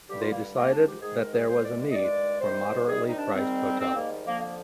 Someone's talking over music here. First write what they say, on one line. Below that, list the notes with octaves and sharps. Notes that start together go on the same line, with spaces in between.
They decided that there was a need for moderately priced hotels.
G2 D3 G3 G4
F4
A#3
G#2 D#3 G#3 A#3
D4
G4
G#2 D#3 G#3 G#4
A#4
G#4
G2 D#3 G#3 C5
D5
D5
D#5
G2 D#3 G#3 D5
C3 D#3 G3 C5
C3 D#3 G3 G#4
D#4
D4
G#2 D#3 G3 C4
G#2 D#3 G3 C4
A#3
F2 D3 F3 A#3
A#3